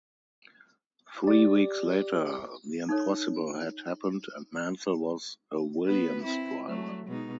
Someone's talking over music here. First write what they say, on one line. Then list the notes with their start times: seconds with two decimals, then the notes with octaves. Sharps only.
Three weeks later the impossible had happened and Mansell was a Williams driver.
1.24 G4 D5
2.89 D#4 A4 C#5
5.87 B3 B4
6.23 C4 E4
6.67 F#3 A3
7.07 B2 G#3 D#4